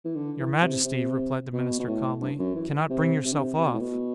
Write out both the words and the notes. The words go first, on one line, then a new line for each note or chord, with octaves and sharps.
Your majesty, replied the minister calmly, cannot bring yourself off.
E3
D3
E3
C3
C3
B2
B2
A2
G2
F#2
E3
C3
C3
D3
C3
C3
B2
A2
B2